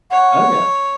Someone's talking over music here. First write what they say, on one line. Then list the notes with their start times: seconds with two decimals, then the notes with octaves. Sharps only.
Oh, yeah.
0.11 C#5 F#5